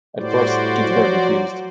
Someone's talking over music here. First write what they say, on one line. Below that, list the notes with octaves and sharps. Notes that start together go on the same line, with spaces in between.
At first, Ginsberg refused.
A2 G3 F#4 C5 D5
F3 F#3